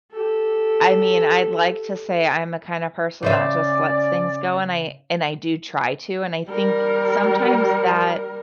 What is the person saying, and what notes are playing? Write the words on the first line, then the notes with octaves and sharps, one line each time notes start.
I mean, I'd like to say I'm the kind of person that just lets things go, and I and I do try to, and I think sometimes that
G4 A4
C#3 C#4 C5 D5 E5
G3 A#4